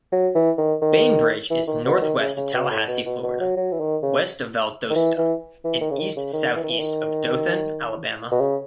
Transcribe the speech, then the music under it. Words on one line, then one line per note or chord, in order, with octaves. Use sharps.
Bainbridge is northwest of Tallahassee, Florida; west of Valdosta; and east-southeast of Dothan, Alabama.
F#3
E3
D#3
D#3
E3
D#3
B2
D#3
C#3
C#3
B2
A2
B2
B2
B2
F#3
F#3
E3
D#3
C#3
D#3
E3
E3
E3
D#3
C#3
D#3
C#3
D#3
E3
D#3
E3
D#3
B2
C#3